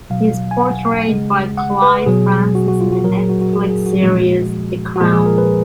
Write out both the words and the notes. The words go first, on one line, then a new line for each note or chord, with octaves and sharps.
He is portrayed by Clive Francis in the Netflix series "The Crown".
B2 F#3 F5
G#5
F#5
C#3 G#3
F#5
B4
B2 F#3 G#4
F#4
F#4
F4
F#4
A#2 F#3 A#4
G#4
F#4
F#4
G#4
G#4
F#4
A#2 F3 G#3
F#4
A#2 F3 G#3 G#4
G#4
A#4
B4